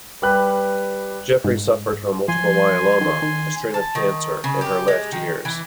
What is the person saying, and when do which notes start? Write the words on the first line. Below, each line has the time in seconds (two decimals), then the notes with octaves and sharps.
Jeffries suffered from multiple myeloma, a strain of cancer, in her last years.
0.22 G3 G4 B4 F#6
1.44 G#2
2.28 F3 G#5 C6
3.01 D#3
3.22 D#3
3.74 A5
3.95 D#3
4.44 C#3
4.61 G4
4.88 G#3
5.12 D#3
5.45 E3